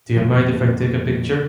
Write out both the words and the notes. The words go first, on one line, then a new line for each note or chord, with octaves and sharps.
Do you mind if I take a picture?
F2 A#2 D3 F3